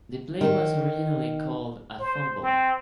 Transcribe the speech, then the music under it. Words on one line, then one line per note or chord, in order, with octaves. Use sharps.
The play was originally called a fumble.
D#3
C5
C4